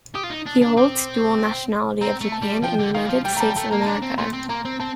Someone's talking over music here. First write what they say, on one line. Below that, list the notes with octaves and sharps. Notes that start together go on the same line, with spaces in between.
He holds dual nationality of Japan and United States of America.
G4 D#6
F4
D#4
D4
D4
C4 D6
C4 A#5
A3
A5
G3
F3 G5
D3
D#3 F5
G3
F3
G3 G5
A3
A#5
G3 A5
G5
A3 A5
A#3 A#5
A5
D4 A#5
C4
A3 C6
C4
A#3 A#5
C4
C4 A5